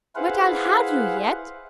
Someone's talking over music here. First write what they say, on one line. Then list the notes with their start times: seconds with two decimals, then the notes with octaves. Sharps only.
'But I'll have you yet.
0.15 E4 G#4 B4 C5 F5 F#5